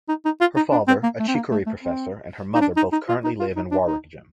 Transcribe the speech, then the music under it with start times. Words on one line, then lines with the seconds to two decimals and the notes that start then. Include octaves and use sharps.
Her father, a chicory professor, and her mother both currently live in Waregem.
0.09 D#4
0.25 D#4
0.40 F4
0.56 D#4
0.72 D4
0.88 C4
1.03 A#3
1.20 A3
1.28 C4
1.35 A#3
1.51 A3
1.66 A3
1.83 C4
2.55 D#4
2.61 D4
2.77 D#4
2.92 D#4
3.08 F4
3.24 D#4
3.40 F4
3.56 D#4
3.72 D4
3.87 D#4